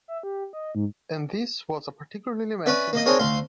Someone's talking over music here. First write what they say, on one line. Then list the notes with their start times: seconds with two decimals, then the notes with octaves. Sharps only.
And this was a particularly messy mess.
0.08 E5
0.23 G4
0.53 D#5
0.75 G#2
2.66 C#4 B4 D5 E5
2.93 A#3 D#5
3.06 C4 D4 D#4 G#4 A#4 C#5
3.19 D2 F5 C6